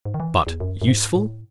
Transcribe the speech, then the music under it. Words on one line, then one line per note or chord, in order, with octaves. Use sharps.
But, USEFUL?
G#2
D#3
E3
E2
F#2
F#2
G#2
A2